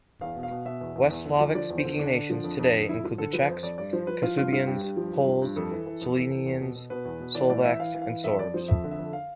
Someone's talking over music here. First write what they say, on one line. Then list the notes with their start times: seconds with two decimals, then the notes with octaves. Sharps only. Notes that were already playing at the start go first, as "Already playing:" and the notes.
West Slavic speaking nations today include the Czechs, Kashubians, Poles, Silesians, Slovaks and Sorbs.
0.21 E2 F5
0.36 B2
0.43 F5
0.51 B2
0.65 B2 E5
0.81 E2
0.95 E2
1.10 E2
1.25 D3
1.40 F3
1.55 F3 D5
1.70 E2
1.77 C5
1.85 D3
1.99 D3 D4
2.14 D3
2.30 F3
2.44 F2
2.59 F2
2.73 D3
2.89 F2 E4
3.04 F3
3.18 D3 A4
3.33 F3 B4
3.48 F2 C5
3.63 F2 D5
3.78 G2 D5
3.93 F3 C5
4.07 F3 B4
4.23 F3 F4
4.38 G2 F4
4.52 G2 F4
4.67 G2 G4
4.82 G2
4.97 F3
5.12 G2
5.27 F3
5.42 G2
5.56 F2 A4
5.71 E3
5.86 E3
6.01 F2
6.16 E3
6.31 E3
6.46 E2
6.61 B2
6.75 B2
6.90 B2 B4
7.05 E2
7.20 B2
7.35 E3 D5
7.50 A2 D5
7.64 E3 E5
7.79 E3 F5
7.94 E3
8.02 F5
8.09 E3
8.24 F2 E5
8.39 F2 D5
8.54 F3 C5
8.68 F2 E5
8.84 D3
8.91 E5
8.99 F2
9.13 F5